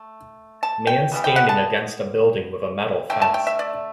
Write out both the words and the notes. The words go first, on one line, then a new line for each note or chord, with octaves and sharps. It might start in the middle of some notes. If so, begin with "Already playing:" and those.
Man standing against a building with a metal fence.
Already playing: A3
A5
G5
E3 G3 B3
G5
F#5
A5
D3 A3 G5
A5
G5
E5
D5